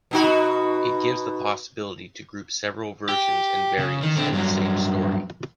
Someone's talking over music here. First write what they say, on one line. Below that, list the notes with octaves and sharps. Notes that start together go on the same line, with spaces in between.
It gives the possibility to group several versions and variants of the same story.
B2 D#4 F#4
G4
C#3
D#3
D3 C4
G2 F#3